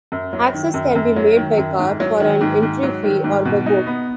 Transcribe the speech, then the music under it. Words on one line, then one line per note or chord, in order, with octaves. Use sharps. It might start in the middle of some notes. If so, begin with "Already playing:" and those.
Access can be made by car for an entry fee or by boat.
F#2
F#3
D#3
F#2
F#2
F#3
D#3
F#2
G#2
F#3
D#3
G#2
G#2
F#3
D#3
G#2
B2
D#4
B3